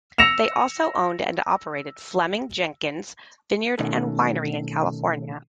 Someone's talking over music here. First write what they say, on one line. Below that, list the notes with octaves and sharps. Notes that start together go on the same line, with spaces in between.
They also owned and operated Fleming Jenkins Vineyards and Winery in California.
E6 A#6 C#7 E7 F7
B2 D#3 A3 C#4 D#4 A4